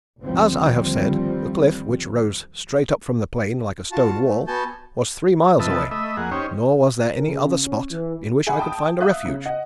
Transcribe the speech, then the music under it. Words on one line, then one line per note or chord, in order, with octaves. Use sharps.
As I have said, the cliff, which rose straight up from the plain like a stone-wall, was three miles away, nor was there any other spot in which I could find a refuge.
G1 D#2 F3 G3 C4
F4 F#4 A5
A3
B3 F#4 G#5 A5 G6
C3 F3 B4 D#5 E5 A5
A3 D#5 E5 B5
F2 A#3 G#4 F#5
C#4 D#4 G4 C5 C#5
A#4
C#3
C#4
E3
G#4 E5 F#5 G#5 B5
G5 A5 D#6
E5 F5 D#6 F#6
C#3
D#5 F#5